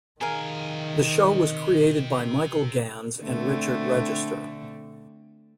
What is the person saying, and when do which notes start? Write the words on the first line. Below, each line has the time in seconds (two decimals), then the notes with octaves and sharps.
The show was created by Michael Gans and Richard Register.
0.21 C3 D#3 G#4 A#4 F5 G#5
3.20 D3 A3 C4